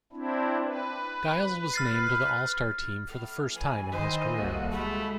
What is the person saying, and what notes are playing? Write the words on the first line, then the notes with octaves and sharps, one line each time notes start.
Giles was named to the All-Star team for the first time in his career.
C4 D4 E4
B4
F6 A6 C7
A2 F6
E3 G#5
D#3 C5 D#5
C2 A3 A#3 F#4
G#3 A3 B5